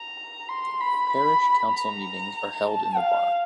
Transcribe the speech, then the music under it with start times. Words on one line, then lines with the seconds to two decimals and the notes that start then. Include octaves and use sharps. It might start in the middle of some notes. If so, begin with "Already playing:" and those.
Parish council meetings are held in the Barn.
Already playing: A#5
0.49 C6
0.80 B5
1.73 A#5
2.66 A5
2.97 F5